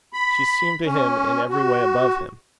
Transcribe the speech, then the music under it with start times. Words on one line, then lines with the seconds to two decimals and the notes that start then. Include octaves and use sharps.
She seemed to him in every way above him.
0.13 B5
0.85 C#4
1.49 F#4